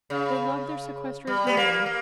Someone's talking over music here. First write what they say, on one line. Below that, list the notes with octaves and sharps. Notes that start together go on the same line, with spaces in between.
They loved their sequestered home.
C#3
G3
B3
A#3
A#3